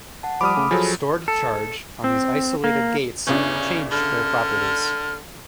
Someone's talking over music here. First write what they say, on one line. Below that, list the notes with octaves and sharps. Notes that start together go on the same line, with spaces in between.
Stored charge on these isolated gates changed their properties.
F#5 A5
F3 G3 B5 D6 D#6 F6
C#3 A3 C#4
F3 F#3 G#4 A4
A4
C4
A#3
G1 C#3 C#4 D4
D3 F6